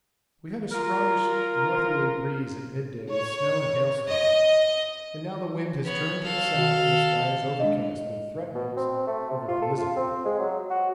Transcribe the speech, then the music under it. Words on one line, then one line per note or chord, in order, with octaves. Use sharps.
We had a strongish northerly breeze at midday with snow and hail storms, and now the wind has turned to the south and the sky is overcast with threatenings of a blizzard.
F4 A#4
C#5
D#5
B3 C#5
A4 F5
D#3 F#4
G#3 D4 D#5
B2
C4
A3
C3
F4
A4
F4
C4
G#3
F#3
F#4